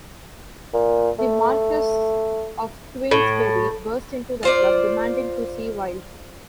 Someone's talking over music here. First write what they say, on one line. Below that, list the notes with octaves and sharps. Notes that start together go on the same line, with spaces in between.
The Marquess of Queensberry burst into the club, demanding to see Wilde.
A#2
A3
A2
F4 C5 D5